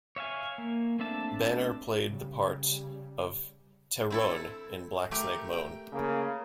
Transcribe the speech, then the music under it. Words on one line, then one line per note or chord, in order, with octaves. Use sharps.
Banner played the part of Tehronne in "Black Snake Moan".
C#5 E5 F5 G#5
A#3
A3 C4 D4 E5 A5
C#3 G3
C4 E4 A4
A3 G4 A#4
G5
C#3 A#3